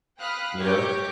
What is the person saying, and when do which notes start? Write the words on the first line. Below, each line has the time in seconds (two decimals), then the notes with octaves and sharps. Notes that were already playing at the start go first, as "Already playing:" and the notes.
you know?
0.19 F5 G5 B5 D#6 F6 F#6
0.59 G4 A#4 C#5 D6 G6